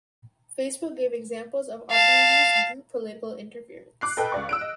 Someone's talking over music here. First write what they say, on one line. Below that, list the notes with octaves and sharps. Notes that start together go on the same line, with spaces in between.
Facebook gave examples of Archimedes Group political interference.
F5 A5
D6 F#6 C7
A4 B4 D#5 G5
C#2 D5 C#6
E6 F#6 D7
D#5